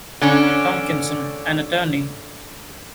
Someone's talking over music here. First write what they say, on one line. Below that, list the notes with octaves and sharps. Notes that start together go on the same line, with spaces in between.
Tomkinson, an attorney.
D3 C#4 D4